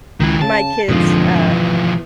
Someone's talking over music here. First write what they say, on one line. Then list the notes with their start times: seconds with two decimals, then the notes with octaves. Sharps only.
my kids, uh
0.20 C#2 D#3 E4
0.42 C#3 A5
0.89 F2 G#2 B2 D3 F3
1.50 E3